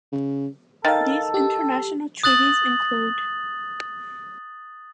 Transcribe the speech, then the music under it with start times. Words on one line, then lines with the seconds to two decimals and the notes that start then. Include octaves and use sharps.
These international treaties include.
0.12 C#3
0.85 D#3 A4 F5 A5 A6
1.34 G4
2.23 D#6 F#6 A6 F#7